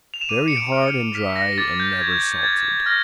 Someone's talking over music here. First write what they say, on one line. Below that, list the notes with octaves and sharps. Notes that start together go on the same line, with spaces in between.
Very hard and dry and never salted.
F7
E7
D6 D#7
C#7
D7
F6 D7
C#7
F6 B6
A#6
D6 A6
G6
C#6 G#6
G#6
F6 A6
F6 A#6